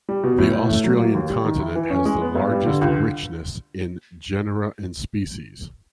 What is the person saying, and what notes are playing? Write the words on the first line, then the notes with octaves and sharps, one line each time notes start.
The Australian Continent has the largest richness in genera and species.
G3
B2
A2
A2
A3
F#3
A#3
D#2
G3
D#3
E4
E3
C#4
G#3
B3
G2
G3
D3
C#2